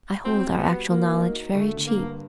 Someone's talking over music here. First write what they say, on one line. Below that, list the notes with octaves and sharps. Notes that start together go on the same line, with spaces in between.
I hold our actual knowledge very cheap.
C4 F#4
G3
B3
F#4
A#3 F#4
D#4
F#4
D3 A3
D3
A#3
G2